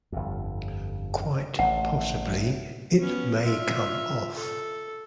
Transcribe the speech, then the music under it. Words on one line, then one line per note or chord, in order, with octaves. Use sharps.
Quite possibly it may come off.
G1 F2
A1 F#5
B3 C#4
F4 E5
A4